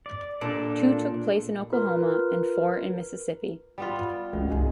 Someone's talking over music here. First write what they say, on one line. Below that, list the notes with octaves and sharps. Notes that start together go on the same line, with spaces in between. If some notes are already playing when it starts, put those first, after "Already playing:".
Two took place in Oklahoma and four in Mississippi.
D5
A#2 D4 A4 D5
F4 A#4 B4
G3 B3 F4
C#2 A2 D3 G#3 F#4
C2 G2 D#4 G#4